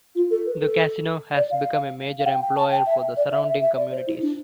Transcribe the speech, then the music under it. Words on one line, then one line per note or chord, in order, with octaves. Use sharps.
The casino has become a major employer for the surrounding communities.
F4
A4
B4
A4
D5
F5
F5
G5
G5
A5
G5
E5
D5
E5
E5
E5
D5
C5
E4
D4